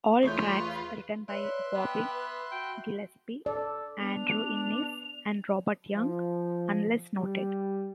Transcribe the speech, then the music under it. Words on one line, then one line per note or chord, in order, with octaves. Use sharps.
All tracks written by Bobby Gillespie, Andrew Innes and Robert Young, unless noted.
E2 A3 F4 B4 C#5 G6
B4 C#5 D5 E5 C6 F#6
B3 G5 B5
B4
F#4 G5
A4 D5
B3 D4 F7
F3
G3